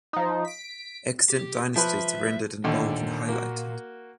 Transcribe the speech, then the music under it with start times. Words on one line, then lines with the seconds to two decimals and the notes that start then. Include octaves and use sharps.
Extant dynasties are rendered in bold and highlighted.
0.13 F3 D#4
0.45 B6 D7
1.30 G4
1.76 F3 B4 E5
2.64 D#2 A#2 D3
3.29 A#3 F#4